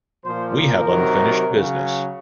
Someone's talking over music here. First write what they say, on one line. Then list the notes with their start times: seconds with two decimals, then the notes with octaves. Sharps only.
We have unfinished business.
0.25 A#2 F3 C5
0.56 A#4
0.87 C3 D#3 F#3
1.49 C#3 F#3